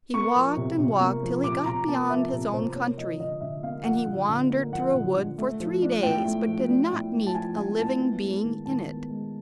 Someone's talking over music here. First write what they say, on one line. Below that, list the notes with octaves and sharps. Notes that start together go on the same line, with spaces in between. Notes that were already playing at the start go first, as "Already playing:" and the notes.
He walked and walked till he got beyond his own country, and he wandered through a wood for three days but did not meet a living being in it.
A#3 C#6
F3
C3
C3
A#3
F3
C3 D6
C3 A#5
A#3 A5
F3 E5
C3
C3 C5
A#3 C#5
F3 D#5
D3 D#5
D3 E5
A#3 F5
F3 F#5
D3
D3
A#3
F3 F#5
D3
D3
A3
F3
D4
A2 G5
A3
F3
D4
A2
A3
A5
F3 G#5
D4 G#5
A2 A5
B3
G#3
D#3
D#3 A5
B3
G#3